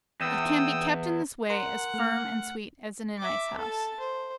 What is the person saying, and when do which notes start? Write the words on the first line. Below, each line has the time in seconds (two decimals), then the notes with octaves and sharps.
It can be kept in this way as firm and sweet as in an ice house.
0.21 E2 G5 D#6 E6
1.50 A#4 F#5 A#5 C6
1.94 A3 F6
3.18 E5 D6
3.57 A4 A5
4.00 C5